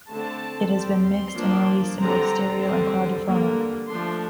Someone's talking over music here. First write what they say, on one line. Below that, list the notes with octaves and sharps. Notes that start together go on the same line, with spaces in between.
It has been mixed and released in both stereo and quadraphonic.
D3 A3 C4 A5
G3 C4
C6
F3 A#3 D4
D3 G3 C4 A#5
D3 G3 C4
D3 G3 A#3
F3 A3 D4 C6